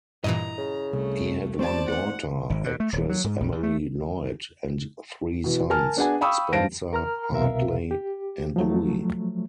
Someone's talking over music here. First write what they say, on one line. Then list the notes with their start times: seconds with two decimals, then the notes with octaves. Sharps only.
He had one daughter, actress Emily Lloyd, and three sons: Spencer, Hartley and Louis.
0.24 G2 A#2 E3 E4 D#5 A#5
0.57 C#3
0.93 C2 A3
1.59 A3 C4 G4 C5 D5 A5
1.90 F#5
2.50 G#1
2.64 B2
2.80 A3
2.93 D#1
3.10 F#3
3.24 G#2
3.40 A#1
3.52 E2
3.63 A3
5.44 B2 E3
5.70 A#4 G#5 A5 F6
5.96 B3 D4 G#4 F#5 G#5
6.21 F5 G5 B5 C#6 D#6 E6
6.52 G2 C5 F5 A5 A#6 D7
6.93 A#4 A#5 F6
7.32 C2 B2 A#4 E5 F5
7.91 G4
8.56 F3 F#3 A3